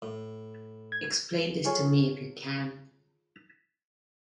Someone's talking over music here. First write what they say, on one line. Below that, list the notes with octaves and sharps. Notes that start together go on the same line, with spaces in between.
Explain this to me! if you can.
A2
G#6
F4 G#4 A4 C#5